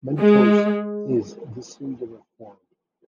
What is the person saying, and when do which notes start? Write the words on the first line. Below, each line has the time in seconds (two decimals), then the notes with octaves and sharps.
"Mentos" is the singular form.
0.18 G#3